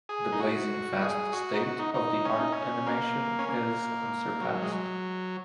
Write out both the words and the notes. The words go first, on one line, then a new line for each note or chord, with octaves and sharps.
The blazing fast state of the art animation is unsurpassed.
G#4
D#4
F#4
G#4
F#4
D#4
F#4
D#4
D#4
C#4
D#4
C#4
A#3
C#4
A#3
F#3
G#3
F#3